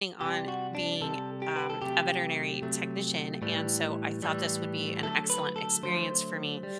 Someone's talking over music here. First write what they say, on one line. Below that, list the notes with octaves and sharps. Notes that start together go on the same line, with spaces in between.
on being, um, a veterinary technician, and, so, I thought this would be an excellent experience for me.
C3 G3 G4
F#4
D4
C3 G3 A4
G4
B4
A4
C3 F#3 A3 G4
C3 F#3 A3
A2 E3 G3
A2 E3 G3
D3 F#3 A3 A4
B4
A4
D3 F#3 A3 C5
G3